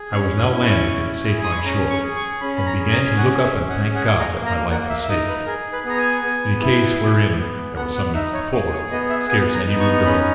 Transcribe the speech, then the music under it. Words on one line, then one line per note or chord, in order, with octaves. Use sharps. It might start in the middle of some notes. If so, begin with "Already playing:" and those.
I was now landed and safe on shore, and began to look up and thank God that my life was saved, in a case wherein there was some minutes before scarce any room to hope.
Already playing: G#4
C#4 C#6
D#6
E4
C#6
C#4
G#4
D#6
C#6
B5
C#4 A#5
C#6
G#4
C#6
C#4 B5
B5
A#5
G#4
A#5
C#4 F#5
E5
G#4
F#5
G#4 F#5
A#5
A#3
A#5
A#3 F#5
E5
E5
D#4 D#5
B4
G#4 A#4
B4
B3
A#5
G#5
B3
E4
G#4
B3
B3 F#5
F#5
D#4 E5
C#5
G#4 C#5
C#5
B3 D#5
E5
B3 G#5
A#5
D#4
C#6
C#4 B5